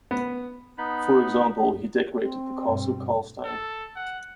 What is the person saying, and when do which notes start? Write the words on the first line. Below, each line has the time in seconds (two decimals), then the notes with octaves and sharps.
For example, he decorated the castle Karlstejn.
0.11 B3
0.78 B3 D#4 B5
2.19 C4
2.65 G2 B2
3.45 A4
3.96 F#5